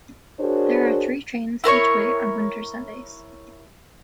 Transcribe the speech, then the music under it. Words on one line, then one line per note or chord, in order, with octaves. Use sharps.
There are three trains each way on winter Sundays.
D4 F#4 G#4 A#4 C5 C#5
E4 A#4 C5 C#5